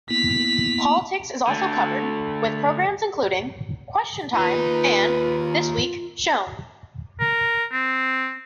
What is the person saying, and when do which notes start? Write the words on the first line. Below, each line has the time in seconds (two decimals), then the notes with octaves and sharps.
Politics is also covered, with programmes including "Question Time" and "This Week" shown.
0.10 A#3 B3 E4 B6
1.47 D3 A3
4.34 D#2 D#4 F4 B4
7.20 A#4
7.72 C4